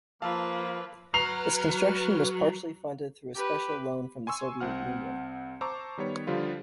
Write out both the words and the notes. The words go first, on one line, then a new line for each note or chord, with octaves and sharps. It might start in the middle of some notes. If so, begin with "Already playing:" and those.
Its construction was partially funded through a special loan from the Soviet Union.
F3 A#3 F4 B4 F5 A5 E6
F#3 B4 A#5 F6 C7 F7
G4 B4
G#5 C6 C#6 E6
C2 C4 F#5 F6
C5 A5 A#5 C#6 D6 E6
D#3 G3 B3 C#5
D3 F3 G3 F4